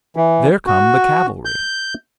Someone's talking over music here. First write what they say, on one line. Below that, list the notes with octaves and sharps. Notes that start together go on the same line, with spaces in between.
"There come the cavalry."
E3
F#4
G6